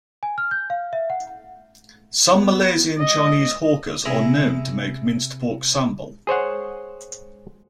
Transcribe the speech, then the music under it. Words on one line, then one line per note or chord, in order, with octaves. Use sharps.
Some Malaysian Chinese hawkers are known to make minced pork sambal.
G#5
F6
G6
F5
E5
F#5
B3
D#5
C3 E4 G#4 E5 A#5 D#6
G#4 C5 C#5 F#5